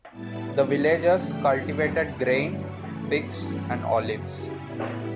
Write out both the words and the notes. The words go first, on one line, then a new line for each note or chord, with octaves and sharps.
The villagers cultivated grain, figs, and olives.
A2 G3 B3 E4 A5
C#3 F#3 B3 D4
G2 F#3 C#4 E4
C#3 E3 A3 D4 G5
G2 D3 F#3 B3 E4
E2 D3 G3 D4 E5
D3 A3 C#4 E4 B5
G2 D3 F#3 C#6
C#3 E3 A3 D6
G2 F#3 B3 E4 C#6
G2 E3 A3 C#4 E4
G2 E3 B3
F#2 C#3 F#3
C#3 G3 C#4 E4 C#6
A2 G3 B3 E4